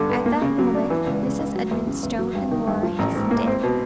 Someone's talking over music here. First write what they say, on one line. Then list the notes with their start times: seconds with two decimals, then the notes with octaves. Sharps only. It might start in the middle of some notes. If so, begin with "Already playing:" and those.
At that moment Mrs. Edmonstone and Laura hastened in.
Already playing: G2 D3
0.09 B3
0.26 A#3
0.42 C#3
0.59 F#3
0.74 D4
0.90 E3
1.07 C#2
1.23 C#3
1.39 C#2
1.55 F#3
1.71 E2
1.87 C#3
2.03 E2
2.19 F#3
2.35 G2
2.51 D#3
2.67 G2
2.83 F3
2.99 A1
3.15 G#2
3.31 A#3
3.47 C4
3.63 B2